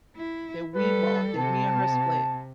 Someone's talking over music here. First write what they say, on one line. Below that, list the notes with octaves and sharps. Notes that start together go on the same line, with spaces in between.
that we bought, that me and her split.
E4
G3 A4 B4
C3 A5